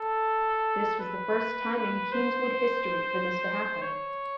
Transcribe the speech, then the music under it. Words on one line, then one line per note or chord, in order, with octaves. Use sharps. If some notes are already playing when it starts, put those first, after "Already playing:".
This was the first time in Kingswood history for this to happen.
Already playing: A4
B4
C5
C#5